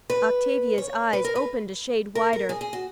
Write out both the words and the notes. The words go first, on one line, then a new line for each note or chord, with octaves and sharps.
Octavia's eyes opened a shade wider.
B4
C#5
B4
A#4
B4
A#4
A#4
G#4
G#4
F#4